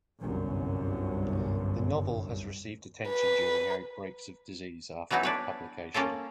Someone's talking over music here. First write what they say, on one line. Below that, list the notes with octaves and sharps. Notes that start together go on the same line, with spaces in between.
The novel has received attention during outbreaks of disease after its publication.
G1 C2 F#2
B4
E3 F#3 B3 D#4 E4
D4 B4 C#5
A#3 C#4 F4 A4